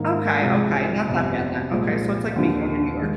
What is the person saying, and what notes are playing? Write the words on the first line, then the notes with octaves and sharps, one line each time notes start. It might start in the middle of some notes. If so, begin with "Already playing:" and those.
Okay, okay. Not that bad then. Okay, so it's like me going to New York.
Already playing: G#2 D#3 A#3
C2 C3 F3 G#3
G1 F2 C3
C2 A#2 F3 G#3
D#2 D3 F3 C4
D#3 G#3